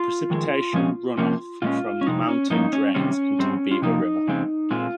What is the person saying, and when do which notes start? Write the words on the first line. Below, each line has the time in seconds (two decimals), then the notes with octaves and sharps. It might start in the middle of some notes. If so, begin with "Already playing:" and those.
Precipitation runoff from the mountain drains into the Beaver River.
Already playing: F4
0.30 F2 D#3 G#3
0.73 A#2 F3 G#3 C#4
1.18 C3 F3 A#3 C#4
1.62 A#2 G#3 C#4 F4
2.01 C#4
2.07 F2 C3 D#4
2.29 C#4
2.50 G2 F3 A#3 C#4 D#4
2.73 C#4
2.94 C3 D#3 G3 C4 C#4
3.39 G#2 G3 C4
3.71 F4
3.82 C3 F3 A#3 D#4
4.27 F2 C#3 G#3 C4
4.71 A#2 G#3 C4 F4